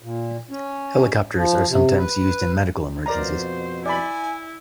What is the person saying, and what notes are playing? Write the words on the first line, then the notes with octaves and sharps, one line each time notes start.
Helicopters are sometimes used in medical emergencies.
A#2
C#4
F3
C3
B4
F2 B2 A#4 C5 D5 A#5
E4 D5 G#5 B5